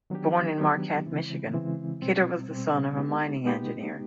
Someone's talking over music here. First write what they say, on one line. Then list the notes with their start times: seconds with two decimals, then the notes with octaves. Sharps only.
Born in Marquette, Michigan, Kidder was the son of a mining engineer.
0.10 D#3 F#3 B3 D4 G4
0.58 D#3 F#3 B3 D4 G4
1.06 C#3 E3 G#3 C4 E4
1.54 C#3 E3 G#3 C4 E4
2.01 B2 G3 C4
2.49 B2 G3 C4
2.97 G#3 B3 D#4 G4
3.45 G#3 B3 D#4 G4